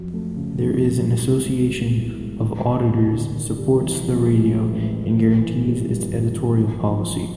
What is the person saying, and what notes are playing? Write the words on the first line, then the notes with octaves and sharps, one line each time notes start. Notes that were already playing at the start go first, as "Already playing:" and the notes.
There is an association of auditors supports the radio and guarantees its editorial policy.
Already playing: F2 F#3
A3
C#3
F2
F#3
C2
G#3
C2
B2
C2
G#3
D#2
G3
D#2
D3
D#2
G3
A1
F3
G#3
A2
A1
F3
G#1
E3
G3
G2
G#1
E3
A1
F3
A1